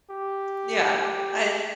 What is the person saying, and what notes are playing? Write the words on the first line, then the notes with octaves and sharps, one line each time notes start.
Yeah. I'd
G4
G4